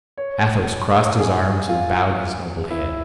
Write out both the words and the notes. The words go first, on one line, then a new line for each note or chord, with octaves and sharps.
Athos crossed his arms and bowed his noble head.
C#5
G#4
F4
E4